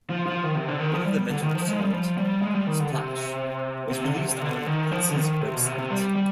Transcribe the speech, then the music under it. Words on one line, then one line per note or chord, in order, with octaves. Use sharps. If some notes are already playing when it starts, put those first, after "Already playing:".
One of the mentioned songs, "Splash" was released on Prince's website.
F3
F3
D#3
C3
D3
D#3
F3
G3
D3
D#3
F3
G#3
G3
F3
G3
G#3
G3
D#3
D3
C3
C3
D3
C3
C3
D3
D#3
F3
D3
D#3
C3
B2
C3
C3
G3
G3